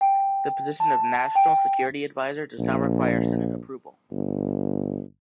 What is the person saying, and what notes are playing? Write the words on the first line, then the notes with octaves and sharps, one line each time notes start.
The position of National Security Advisor does not require Senate approval.
G5
A5
G5
A#1
G1